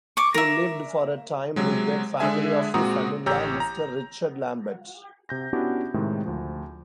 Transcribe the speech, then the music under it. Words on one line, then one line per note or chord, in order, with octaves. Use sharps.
He lived for a time with the family of his son-in-law, Mr. Richard Lambert.
C#6 D6
A#4 E5
C3 F#3 G#3
D3 G#3 D4 G#4 E5 G#5
A#2 G#3 C4 F#4 A#5 D#6
A1 G4 C#5 A#5 E6 G6
A#5
C3 G6 A#6
B3 C#4 D4 E4 F#4 G4
A2 C3 D#3 G#3
D2 F3